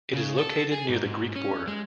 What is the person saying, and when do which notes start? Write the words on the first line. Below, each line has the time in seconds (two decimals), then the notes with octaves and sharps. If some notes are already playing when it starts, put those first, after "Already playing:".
It is located near the Greek border.
0.13 C#3
0.38 A4
0.72 G#4
0.89 G#2
1.06 G#2
1.36 C#4
1.68 G#3